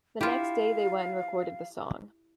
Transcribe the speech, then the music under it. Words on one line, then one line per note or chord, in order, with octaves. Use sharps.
The next day they went and recorded the song.
E4 F4 G4 F5